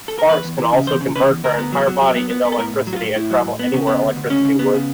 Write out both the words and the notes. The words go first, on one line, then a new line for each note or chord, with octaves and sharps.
Sparks can also convert her entire body into electricity and travel anywhere electricity would.
A4
A#4
E2 B4
E2
E3
C#3
E2 C5
C#3
C#3 B4
E2
D2 A#4
B3
F#3
F#3
F#3
B3
B3
B3
A4
A2 A#4
A2
F#3
F#4
F4
A2
A2 E4
F#3
A2
B3
C#3
B3
D2
D2
C#3 C#4
C#3
B3
C#3